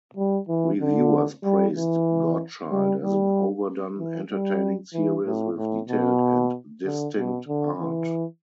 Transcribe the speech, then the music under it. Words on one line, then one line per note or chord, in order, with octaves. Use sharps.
Reviewers praised "Godchild" as an overdone, entertaining series with detailed and distinct art.
G3
E3
D3
G3
E3
G3
G3
E3
G3
E3
A2
A2
B2
D3
B2
D3
E3